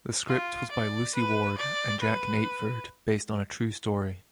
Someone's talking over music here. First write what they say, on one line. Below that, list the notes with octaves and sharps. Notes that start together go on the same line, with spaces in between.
The script was by Luci Ward and Jack Natteford based on a true story.
F4
D5
B4
D5
B4